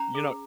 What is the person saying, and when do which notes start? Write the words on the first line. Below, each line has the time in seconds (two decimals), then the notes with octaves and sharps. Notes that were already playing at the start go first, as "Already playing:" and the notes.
you know
Already playing: C#4 A#5
0.15 G#4